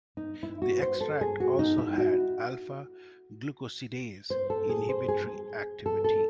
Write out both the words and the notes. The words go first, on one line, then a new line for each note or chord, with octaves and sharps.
The extract also had alpha-glucosidase inhibitory activity.
D#4
E4
F#4
C5
A4
G#4
F#4
D#4
E4
F#4
C5
A4
G#4
C5
G#4
A4
A4